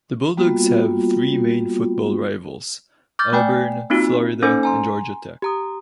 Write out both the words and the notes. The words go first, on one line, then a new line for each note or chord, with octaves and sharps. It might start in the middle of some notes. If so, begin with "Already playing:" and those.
The Bulldogs have three main football rivals: Auburn, Florida, and Georgia Tech.
G3 A#3 B3 F4 F#4
D6 F6 G6 A6
A3 D5 G5 G#5
A#3 C4 D#4 F4 F#4
A#3 C#4 D#4 A4 C5 G#5
G#5 A#5 C6
G4 A#5 D#6